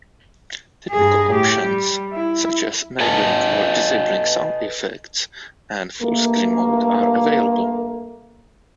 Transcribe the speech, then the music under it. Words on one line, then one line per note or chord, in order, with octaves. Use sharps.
Typical options, such as enabling or disabling sound effects and full-screen mode are available.
G2 G#4
A2 G4
G3
E4
A4 B4 D#5 G#5 A5
G2 A3 A#3